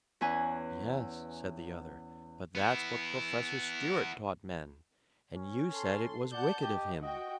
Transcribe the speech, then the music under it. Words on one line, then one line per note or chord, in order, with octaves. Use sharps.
"Yes," said the other, "but that's what Professor Stewart taught men. And you said it was wicked of him."
E2 C#4 B4 G#5
B3 E4
C#4
A4 C6
D5 F#5 A5 G6
G4 D#5
F#4 D#5 G5